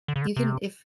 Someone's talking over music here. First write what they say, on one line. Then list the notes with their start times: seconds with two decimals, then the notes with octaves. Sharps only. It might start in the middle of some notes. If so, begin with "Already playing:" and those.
you can if
0.08 D3
0.16 C#3
0.22 D3
0.36 C3